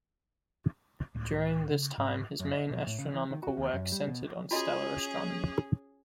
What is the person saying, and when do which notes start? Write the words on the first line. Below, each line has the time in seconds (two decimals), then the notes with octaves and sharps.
During this time his main astronomical work centered on stellar astronomy.
1.15 C#2 A2
1.71 C#3
1.98 G#2 C#4
2.40 F#2
2.52 D#5
2.70 B2
2.87 A2
2.98 C#3
3.14 E3
3.31 D#3
3.43 F#4
3.57 D#2
3.73 F#2
3.92 G3
4.07 B2
4.51 C#4 F4 F#4 G#4 D#5